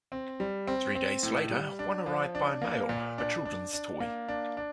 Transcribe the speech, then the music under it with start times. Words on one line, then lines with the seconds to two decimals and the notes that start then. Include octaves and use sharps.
Three days later, one arrived by mail - a children's toy.
0.12 C4
0.40 G3
0.67 C4
0.95 C4
1.23 A2
1.51 G3
1.79 D4
2.06 F3
2.35 D4
2.62 A#3
2.89 A#2
3.18 D4
3.45 D4
3.73 D4
4.00 A#3
4.28 D4
4.57 D4